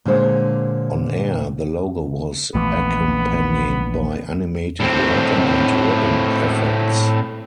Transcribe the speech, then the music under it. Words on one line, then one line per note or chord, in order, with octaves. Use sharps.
On-air, the logo was accompanied by animated water and ribbon effects.
A#2 D3 G#3 C5 C#5 F#5
A#1 E3 A3 B3
A2 C4